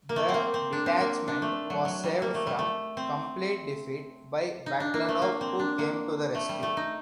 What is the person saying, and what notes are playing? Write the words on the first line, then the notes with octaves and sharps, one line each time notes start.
The detachment was saved from complete defeat by Baklanov who came to the rescue.
A#3
A3
C4
A#3
C4
D4
C4
A#3
D4
A3
F#3
F#3
G3
A#3
A3
G3
A3
C4
D#4
D4
A#3
A3
A#3
C4
D4
A#3
A3
G3
A3
D#4